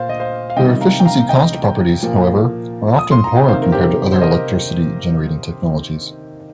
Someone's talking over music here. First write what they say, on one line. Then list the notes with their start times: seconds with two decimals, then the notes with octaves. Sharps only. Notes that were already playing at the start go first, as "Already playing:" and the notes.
Their efficiency-cost properties, however, are often poor compared to other electricity-generating technologies.
Already playing: A#2 A#3 C5 F5
0.09 D#5
0.20 C5 F5
0.50 F5
0.56 C3 D#3 G3 A#3 D#5 G5
0.81 F5 A#5
1.00 G5
1.05 F5 A#5
1.29 D#5 G5
2.02 A#2 F3 A#3
2.99 D#6
3.11 C6
3.24 A#5
3.36 G5
3.48 C3 D#3 A#3 C5 F5
3.62 A#4
3.72 G4 C5
4.12 C5
4.21 A#4 D#5